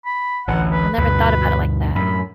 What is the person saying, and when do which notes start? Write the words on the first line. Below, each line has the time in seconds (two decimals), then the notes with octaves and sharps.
I never thought about it like that.
0.05 B5
0.48 A1 D2 E3 F#5
0.71 B4
0.98 D2 G2 B2 B4
1.95 F#2 A2 B5